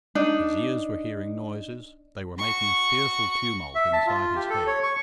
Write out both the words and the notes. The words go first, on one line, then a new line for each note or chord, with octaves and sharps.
His ears were hearing noises--they were making a fearful tumult inside his head.
D4 D#4
F#4 C#6
E5
A5
F4
G4
A4
C#5
C#6